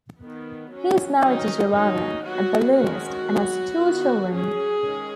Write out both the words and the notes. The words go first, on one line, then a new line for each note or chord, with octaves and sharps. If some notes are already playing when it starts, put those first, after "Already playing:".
He is married to Joanna, a balloonist, and has two children.
D#3 B3
F#3 C#4
D#3 F#3 C#4 D#4
D#3 F#3 C#4 D#4
F#3 B3 F#4
D#3 G#3 C#4 F#4
F#3 B3
D#3 B3
F#3 C#4 G#4
D#3 G#3 C#4